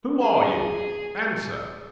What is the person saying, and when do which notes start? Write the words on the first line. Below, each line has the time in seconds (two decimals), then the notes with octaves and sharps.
Who are you? Answer!
0.21 G#4